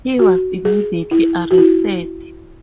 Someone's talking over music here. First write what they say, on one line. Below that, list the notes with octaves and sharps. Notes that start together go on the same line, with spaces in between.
He was immediately arrested.
F#4
G#4
E4
F#4
E4